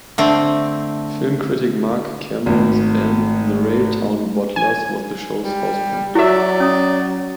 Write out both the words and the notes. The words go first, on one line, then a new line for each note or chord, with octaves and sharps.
Film critic Mark Kermode's band The Railtown Bottlers was the show's house band.
D3 A3 C4
G#1 A3 A#3
G#5
G3
F#3 E4 F#4 A4 D5 E5
C#4 D#6